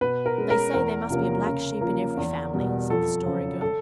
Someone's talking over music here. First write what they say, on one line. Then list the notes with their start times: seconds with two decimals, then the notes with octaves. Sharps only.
"They say there must be a black sheep in every family," said the Story Girl.
0.01 B2 B4
0.26 A#4
0.38 G#3 C#4
0.50 A#4
0.74 E2 A#4
1.10 C3 F3 A#3 C#4
1.46 C#3
1.81 F3 A#3 C#4
2.17 E2
2.53 B2 G3
2.90 F2 A4
3.26 C#3 F#3
3.61 A4